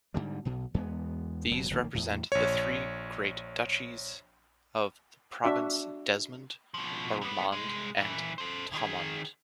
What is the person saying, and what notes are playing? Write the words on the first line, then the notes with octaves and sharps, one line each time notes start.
These represent the three great duchies of the province, Desmond, Ormond and Thomond.
G#2 B2 D3 G3
B1 B2
E2 G#3 B3
F#1 B2 F#3
D1 A#1 D#3 A#3
E2 A2
A#1 C#5
D4 F#4 E5
B2 F3
G3 B3
C2 G#3
A#2 E3
A4 C5
D#3 G#4